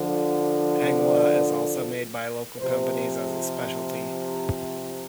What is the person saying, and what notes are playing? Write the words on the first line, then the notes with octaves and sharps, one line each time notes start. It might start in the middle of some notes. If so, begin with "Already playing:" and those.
Hangwa is also made by local companies as a specialty.
Already playing: D3 F3
D5
C3 F3 C5